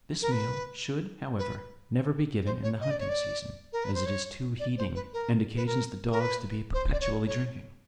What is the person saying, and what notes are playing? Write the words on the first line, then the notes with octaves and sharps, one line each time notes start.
This meal should, however, never be given in the hunting season, as it is too heating, and occasions the dogs to be perpetually drinking.
A#4
B4
B4
C5
C#5
D#5
D5
C#5
D5
A#4
B4
C5
C#5
D5
C5
B4
A#4
B4
A#4
A#4
B4
C5
D5
C#5
C#5